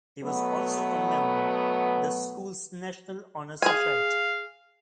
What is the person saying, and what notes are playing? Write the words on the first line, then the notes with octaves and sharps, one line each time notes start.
He was also a member the school's National Honor Society.
B2 F#3 A3 B3
G#4 F5 G#5